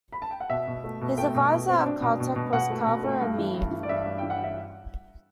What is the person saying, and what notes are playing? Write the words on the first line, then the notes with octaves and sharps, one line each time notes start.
His adviser at Caltech was Carver A. Mead.
B5
A5
G5
F#5
B2 E5
B2
A3
B2
A3 G5
B2
B2
C4
D4
B2
B2
B2
B2 F#5
A3
B2
A3
G2
E3
G2
E3
D5
G2 E5
G2
E3 G5
F#5
E5